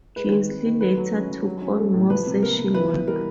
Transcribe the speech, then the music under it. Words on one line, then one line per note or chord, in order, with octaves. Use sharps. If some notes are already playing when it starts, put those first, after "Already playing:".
Kinsley later took on more session work.
G#3 B4
D#3
C4
D#3
A3 B4
F#3
C#4
F#3
F#3
C#4
A3
A2
F3 B4
C3
A#3 A#4
C3
E3 B4
B3
G3 A#4